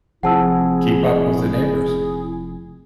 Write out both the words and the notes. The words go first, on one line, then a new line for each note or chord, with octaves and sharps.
keep up with the neighbors.
F1 F2 C4 E4 G#4 F#5 A5 E6